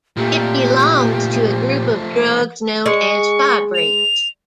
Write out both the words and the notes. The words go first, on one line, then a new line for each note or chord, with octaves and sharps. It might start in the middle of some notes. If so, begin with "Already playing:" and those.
It belongs to a group of drugs known as fibrates.
A#2 F3 A3 G4
G#3 C#6
F7